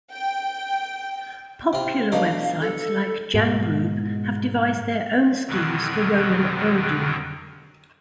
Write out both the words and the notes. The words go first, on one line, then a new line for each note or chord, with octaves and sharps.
Popular websites like Jang Group have devised their own schemes for Roman Urdu.
G5
C3 F4
B2 D3 D#4 F5
A4
G#2 B2 G#3
F2 B2 D3 D#3 F#3